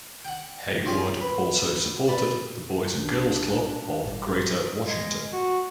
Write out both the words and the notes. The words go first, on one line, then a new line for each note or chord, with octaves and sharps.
Hayward also supported the Boys and Girls Club of Greater Washington.
F#5 G5
F3 C#4 G4 G#4
B4
B4 D5
B1 C#3 D4
G#1 A#2 G3
G#3
F#4